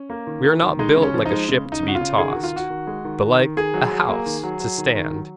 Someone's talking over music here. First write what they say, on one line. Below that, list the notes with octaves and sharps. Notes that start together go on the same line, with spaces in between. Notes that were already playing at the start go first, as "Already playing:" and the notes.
We are not built like a ship to be tossed, but like a house to stand.
Already playing: C#4
A#3
D#3
D#3
D#3
G#3 D#4
C#3
C#4
F3
D#4
G#3
C#3
C#3
D#4
C#3
F#4
F4
C#3
D#3 G#4
D#3 F#4
F4
D#3 F#4
D#3
G#3
D#3
D#3
D#3
D#3 G#4
F#3
F#3
A#3
D#3
F#3
F#3
D#3
D#3
F#3